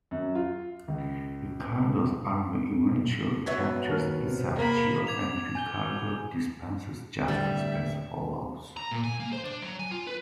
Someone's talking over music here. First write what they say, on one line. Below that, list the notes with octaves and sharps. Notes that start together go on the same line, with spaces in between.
Riccardo's army eventually captures Isacio, and Riccardo dispenses justice as follows.
F#2
F4
C#2
F#3 B3 E5 B6
D#2 A#4 F6
C3
A#3 B5
D6 G#6 F7
G#5 G6 G7
A2 D3 G3 E5
A#5
A#2
G#5
A#3
C5
D4
F#3
G#5
F4
B4